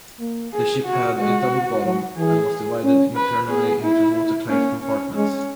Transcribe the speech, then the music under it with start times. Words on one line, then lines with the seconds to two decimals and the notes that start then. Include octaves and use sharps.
The ship had a double bottom, and was divided internally into watertight compartments.
0.19 A#3
0.53 G#4
0.86 F#4
1.18 G#3 F#4
1.84 F#3
2.17 E3 G#4
2.83 C#4
3.16 B4
3.49 B3 G#4
3.83 E4
4.48 A#3 C#4
4.81 C#4
5.15 G#3 C#4